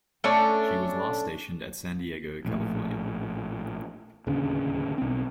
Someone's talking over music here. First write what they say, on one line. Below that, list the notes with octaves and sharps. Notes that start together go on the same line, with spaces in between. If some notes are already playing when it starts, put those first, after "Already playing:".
She was last stationed at San Diego, California.
A3 C#4 D4 C#5
A#1 A2
D1 D#2 C#3 D4
B1 C4